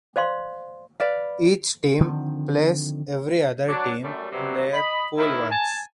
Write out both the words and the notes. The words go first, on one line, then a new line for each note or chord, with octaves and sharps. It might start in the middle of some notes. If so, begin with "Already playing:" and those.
Each team plays every other team in their pool once.
C5 D5 F5 C6
B4 D5 F5
D3 D#3 F3 C4
F#3 D4
F#2 G3 A3
G2 C3 F#3
D#5 B5
A2 D#3 E4
G#5 A5